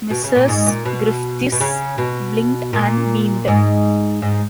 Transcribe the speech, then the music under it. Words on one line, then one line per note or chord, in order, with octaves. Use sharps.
Mrs. Griffiths blinked and beamed.
B2
C#3
A#2
G#2
A#2
B2
B2
C#3
B2
A#2
G#2
G#2